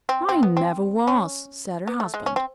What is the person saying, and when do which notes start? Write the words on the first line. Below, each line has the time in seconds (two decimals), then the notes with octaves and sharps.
"I never was," said her husband.
0.09 C4
0.29 C4
0.43 B3
0.57 C4
1.07 C#4
1.87 B3
2.00 A3
2.14 G#3
2.26 C#4
2.36 C4